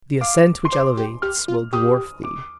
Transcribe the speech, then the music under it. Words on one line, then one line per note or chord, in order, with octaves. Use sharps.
The ascent which elevates will dwarf thee.
F5 D6
C6
C5 D6
G4
G4 F6
F4
G4 D#6
D6